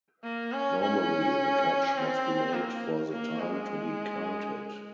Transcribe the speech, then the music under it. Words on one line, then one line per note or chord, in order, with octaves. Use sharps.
Normally, the catch must be made for the time to be counted.
A#3
C#4
C#4
C4
A#3
A#3
G#3